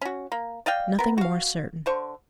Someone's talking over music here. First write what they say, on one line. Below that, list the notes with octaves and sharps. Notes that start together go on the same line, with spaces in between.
Nothing more certain.
C#4 F#4
A#3
D5 D#5 F5 G5
B3 A#4
F#4 F5
D3 C5 C#6